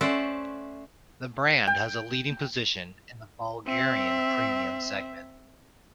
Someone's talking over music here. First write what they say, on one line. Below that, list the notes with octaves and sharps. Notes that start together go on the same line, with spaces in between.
The brand has a leading position in the Bulgarian premium segment.
A3 C#4 C5 D5 E5 F#5
G5
C4 E5